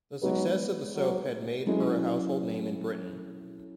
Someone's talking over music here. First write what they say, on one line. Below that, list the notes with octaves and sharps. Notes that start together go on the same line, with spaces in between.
The success of the soap had made her a household name in Britain.
F#3 G#3 B3 D#4 G#4 B4
F#3
F#3 G#3 C#4 E4 A4